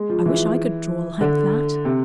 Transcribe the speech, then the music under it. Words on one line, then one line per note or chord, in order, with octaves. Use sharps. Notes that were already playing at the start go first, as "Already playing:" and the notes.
I wish I could draw like that.
Already playing: G#3
F3
E3
D3
C3